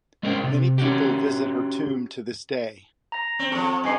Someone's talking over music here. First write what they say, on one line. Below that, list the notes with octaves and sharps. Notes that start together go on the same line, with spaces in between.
Many people visit her tomb to this day.
G#3 C#4 A#4 C5 F#5 G5
C3
C#4 F#4 G4
A#5 A#6
C4
F3 C4 A4 C#6
G2 D#5 G#5 C7